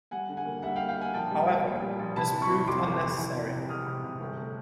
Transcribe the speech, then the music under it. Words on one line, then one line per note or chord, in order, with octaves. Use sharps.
However, this proved unnecessary.
G3 F#5 G#5
D3
F#5 G#5
A#3
G3 E5 F#5
F5 G5
A#3
F5 G5
A#3 F#5 G#5
A#1 G5 A5
G3
G3
A#2
G3
A#1
C3 A5 B5
E3
B5 C#6
C3
F2 C6 D6
G1
F2
E3
C3
C3
G#3 D#6 F6
C3
C3
G1
A3